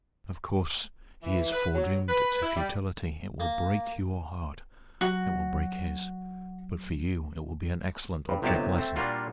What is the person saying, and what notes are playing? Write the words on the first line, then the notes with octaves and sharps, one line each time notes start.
Of course, he is foredoomed to futility. It will break your heart--it will break his; but for you it will be an excellent object lesson.
E3
B4
F#3
B4
E4
G3
A#3
F#3 F#4
G2
G1 C3 F#3 G4 D#5 A5
A3 C4
A#2 G3 A#3 D4 F4 F#4